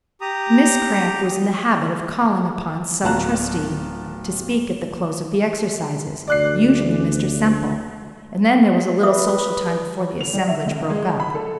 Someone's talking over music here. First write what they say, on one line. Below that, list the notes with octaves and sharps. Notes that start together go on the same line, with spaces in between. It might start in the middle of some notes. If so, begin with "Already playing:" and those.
Miss Cramp was in the habit of calling upon some trustee to speak at the close of the exercises--usually Mr. Semple--and then there was a little social time before the assemblage broke up.
G4 A#5 D#6
D1 B3 F4 A5 A#5 F#6
D2 D5 F#6 C7
B4 E5 D#6
F7
G3
E5
C#2
G#3
G#3
B5
A4